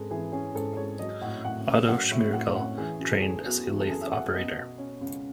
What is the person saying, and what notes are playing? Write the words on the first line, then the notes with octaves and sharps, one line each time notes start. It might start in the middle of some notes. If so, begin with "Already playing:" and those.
Otto Schmirgal trained as a lathe operator.
Already playing: G#2 G#3 C#4 A4 B4
E3 G#4
C#4 G#4
G#2 A4
G#3 C#5
F#3 D#5
A2 F#5
A2 F#5
C#4
F#3 F#5
A2 E5
A2 F#5
C#4 F#5
E3 G#4
F#2 F#4
A4
F#2 G#4
B3 F#4
E3 F#4
A4
F#2 G#4
E5
F#2 F#5
B3 D#5
B2
C#4
C#2